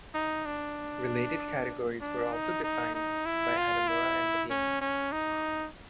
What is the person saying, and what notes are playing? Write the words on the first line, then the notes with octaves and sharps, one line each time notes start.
Related categories were also defined by Hanamura and Levine.
D#4
D4
D4
D#4
D#4
D#4
E4
F4
E4
C#4
C#4
D#4